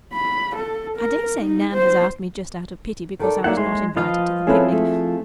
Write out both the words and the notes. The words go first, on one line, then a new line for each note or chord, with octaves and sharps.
I dare say Nan has asked me just out of pity because I was not invited to the picnic.
B5
A4
A#4
D#4
C5
D#3 A4 D5
D#3 A#3 E4 D5 F#5
D#2 G#3 E4 G#4 C6
F3 F4 B4 D#5 F5
C4 C#4 E4 G#4 A4 B4
A3